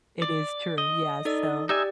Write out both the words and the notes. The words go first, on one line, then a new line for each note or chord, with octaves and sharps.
It is true. Yes, so
D5
D#5
D#4 A4 D5
D#4 G4 D5 E5 G#5